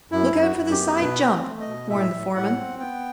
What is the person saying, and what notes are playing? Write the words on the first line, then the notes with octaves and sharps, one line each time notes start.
"Look out for the side jump!" warned the foreman.
F#2 E4
F#2
F#4
F#2
G4
B3
B2 B4
C4
A3
D#5
B2
A2 E5
A2
A2 F#5
C4
B3 G5